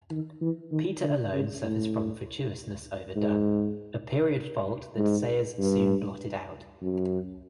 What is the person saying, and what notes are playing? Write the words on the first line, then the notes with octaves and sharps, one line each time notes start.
Peter alone suffers from fatuousness overdone, a period fault that Sayers soon blotted out.
D#3
E3
D#3
D3
C#3
A2
G#2
G#2
G2
F#2